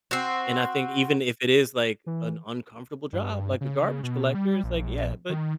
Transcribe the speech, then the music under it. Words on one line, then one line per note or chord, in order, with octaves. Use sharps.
and I think even if it is like an uncomfortable job, like a garbage collector, it's like, "Yeah, but
C4 F#4
E3
G2
C#3
B2
G3
A#1
D#3